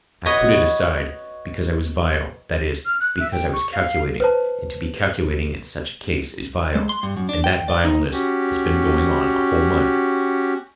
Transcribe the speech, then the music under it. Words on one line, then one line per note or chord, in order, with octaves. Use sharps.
"I put it aside because I was vile, that is, because I was calculating, and to be calculating in such a case is vile ... and that vileness has been going on a whole month."
F#4 B4 C#5 D#5
F6
F#6
E5
G5
C#6
F5
B4 C5 A5
G#3
C6
G2
F#2
D4
G5
D5
D#4
C#4 F#4 G4